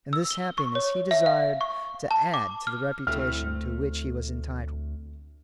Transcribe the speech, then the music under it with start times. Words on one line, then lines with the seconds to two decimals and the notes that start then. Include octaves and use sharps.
And this happiness he desired to add to the reputation to which he was entitled.
0.13 E6
0.31 G7
0.58 C#6
0.75 C#5
1.11 E5
1.26 F5
1.61 C#6
2.11 A5
2.34 D6
2.67 F6
3.07 D2 A3 C4 E4 F6